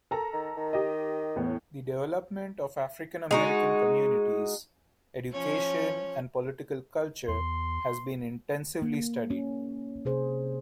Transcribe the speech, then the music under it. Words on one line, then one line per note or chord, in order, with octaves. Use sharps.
The development of African-American communities, education and political culture has been intensively studied.
A4 A#4 A#5
D#3
D#3
G4 D#5
E2 A2 B3
G#3 D#4 F#4
F3 C#4 C#5
E2 C6
A#3
C#4
C3 G#4 C5